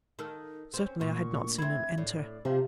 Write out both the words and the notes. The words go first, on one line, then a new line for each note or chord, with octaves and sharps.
Certainly, I had not seen him enter.
D#3 A4
C4 C#4 C5
D2 A#2 C#6
C4 E4 G#6
A2 D5
C3 F3